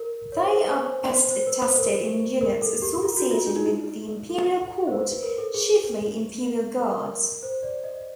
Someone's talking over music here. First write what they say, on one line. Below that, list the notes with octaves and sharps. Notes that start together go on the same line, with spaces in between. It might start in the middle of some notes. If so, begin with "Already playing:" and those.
They are best attested in units associated with the imperial court, chiefly imperial guards.
Already playing: A#4
C#5
C5
B4
C5
C5
C5
B4
C5
A#4
A#4
A4
G4
F4
F#4
F4
D4
D#4
E4
A4
C5
B4
B4
A#4
A4
G#4
A#4
C5
D5
D#5